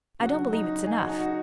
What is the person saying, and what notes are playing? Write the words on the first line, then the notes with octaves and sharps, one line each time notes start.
I don't believe it's enough.
D#2 C#3 F#3 F#4
D#4
G#4
F#4
D#4
F#4